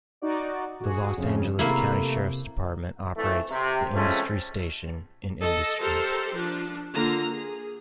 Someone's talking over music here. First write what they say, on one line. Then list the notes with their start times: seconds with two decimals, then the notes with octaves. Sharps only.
The Los Angeles County Sheriff's Department operates the Industry Station in Industry.
0.22 D#4 F#4 D5
0.81 F#4 G#4
1.17 F2 C#3
1.59 C3 A3 A#3 E4
3.16 F2 E3 A3
3.51 C3
3.94 C3 F3 G#3 A3 C#4
5.39 A4 D#5
5.80 G4 A4 A#4 C5
6.34 F3 D4
6.93 D3 A#3 F4 A#5
7.31 G#4